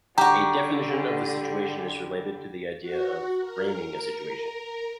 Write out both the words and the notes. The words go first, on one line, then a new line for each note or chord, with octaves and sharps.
A definition of the situation is related to the idea of "framing" a situation.
D3 G3 F#4 G4 A#5
F#4
A#4